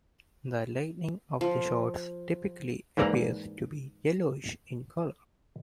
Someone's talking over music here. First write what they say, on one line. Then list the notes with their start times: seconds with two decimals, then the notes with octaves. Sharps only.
The lighting of the shots typically appears to be yellowish in color.
1.41 F3
2.97 G#2 E3 A#3 D5 A#5